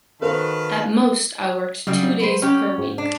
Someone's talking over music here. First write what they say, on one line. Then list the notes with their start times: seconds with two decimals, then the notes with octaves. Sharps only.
At most, I worked two days per week.
0.21 D#3 F#4 A4 B4 C5 F5 A5
1.87 C#3 F#3 G3
2.20 B4 C5
2.42 C#4 G4
2.78 G#2
2.98 D4